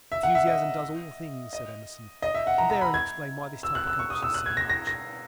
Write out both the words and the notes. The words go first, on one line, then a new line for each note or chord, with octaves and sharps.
"Enthusiasm does all things" said Emerson, and therein explained why this type accomplishes so much.
E5
F#5
E5
D#5
D#5
D#5
E5
F#5
A#5
A#5
B5
G#6
E6
F#6
E6
C#6
D#6
E6
F#6
G#6
A#6
A#6
A#6